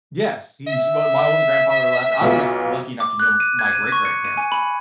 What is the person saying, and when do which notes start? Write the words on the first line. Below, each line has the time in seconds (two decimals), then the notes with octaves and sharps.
Yes, he's well my only grandfather left I was lucky enough to know my great-grandparents,
0.67 E5
2.21 B1 B3 F4
3.00 D6
3.20 F#6
3.40 D#7
3.59 G#6
3.73 D#7
3.92 C#6
4.05 C#7
4.25 D#7
4.37 G#5
4.52 B5